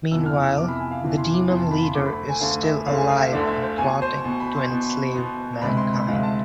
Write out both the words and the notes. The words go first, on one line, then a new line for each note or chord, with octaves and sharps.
Meanwhile, the Demon leader is still alive and plotting to enslave mankind.
F2 C3 E3 B3 E6
F6
E6
F2 C3 E3 B3 D6
B5
G#5
F5
F2 C3 E3 B3
C6
D6
F2 C3 E3 B3 C6
A5
B5
C6
D2 D3 A3 D6
B5
G#5
D2 D3 A3 F5
E5
D2 D3 A3 F5
G#5
F5
E5
D2 D3 A3 D5
E5
C5
B2 B3 G#5
C5
B2 B3
B5
C6
B2 B3
B2 B3
D2 C3 G#3 B5
C6
B5
D2 C3 G#3 F5
A5